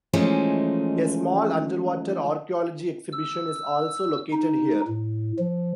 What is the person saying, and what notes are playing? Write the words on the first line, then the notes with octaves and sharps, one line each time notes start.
A small underwater archeology exhibition is also located here.
E3 F3 G#3 A3 C#4 D#4
E6
D#4
A2
F3